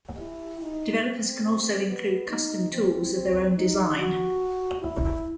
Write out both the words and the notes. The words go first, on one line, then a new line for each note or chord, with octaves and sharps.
Developers can also include custom tools of their own design.
E4
D#4
C4
B3
D#4
C4
C4
D#4
F#4
E4